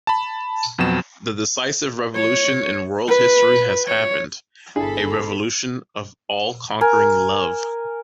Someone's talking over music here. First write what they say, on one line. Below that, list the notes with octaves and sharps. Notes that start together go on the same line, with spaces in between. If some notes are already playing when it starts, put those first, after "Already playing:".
The decisive revolution in world history has happened - a revolution of all-conquering love.
A5 B5
F2 B2 F#3 E7
C#5
B4
C#5
G1 D4 E4 G#4 A4 B5
A#4 G#5